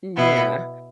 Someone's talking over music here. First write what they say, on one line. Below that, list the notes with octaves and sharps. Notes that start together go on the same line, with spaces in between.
M Yeah.
B2 B3 E4